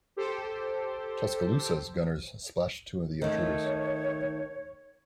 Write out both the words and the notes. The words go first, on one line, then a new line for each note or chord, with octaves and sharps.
"Tuscaloosa"s gunners splashed two of the intruders.
G4 A4 C5
D#3 A3 C#5